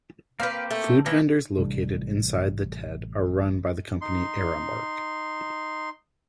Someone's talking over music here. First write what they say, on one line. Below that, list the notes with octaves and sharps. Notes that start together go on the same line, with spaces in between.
Food vendors located inside the Ted are run by the company Aramark.
A#3 C4 G4 B4 F5
A3
E3 A#3 B3 E4
A1 C3 G3 D4
D#4 C6